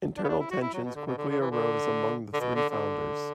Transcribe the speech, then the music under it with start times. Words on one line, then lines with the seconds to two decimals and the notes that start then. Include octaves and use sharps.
Internal tensions quickly arose among the three founders.
0.17 D4
0.24 B3
0.29 D4
0.39 E4
0.50 F#4
0.62 E4
0.73 F#3
0.84 B2
0.95 D3
1.07 B2
1.18 D3
1.29 D3
1.40 E3
1.51 D3
2.33 D3
2.40 B2
2.55 D3
2.70 D3